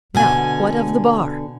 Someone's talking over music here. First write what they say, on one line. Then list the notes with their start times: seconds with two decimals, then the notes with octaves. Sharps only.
Now what of the Bar?
0.15 B2 D3 G#5